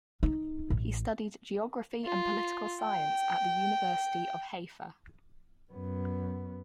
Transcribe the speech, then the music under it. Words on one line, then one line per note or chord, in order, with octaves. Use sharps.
He studied geography and political Science at the University of Haifa.
D#4
A1
F4
G5
F#2 B3